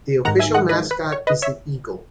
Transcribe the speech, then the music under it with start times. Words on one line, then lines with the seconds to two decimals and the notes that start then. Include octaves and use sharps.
The official mascot is the eagle.
0.25 G#2 D#3 F#5 A#5
0.39 E5 G#5
0.54 D#5 F#5
0.69 B4 D#5
0.91 B4
1.12 C#5
1.27 B4 D#5
1.42 C#5 E5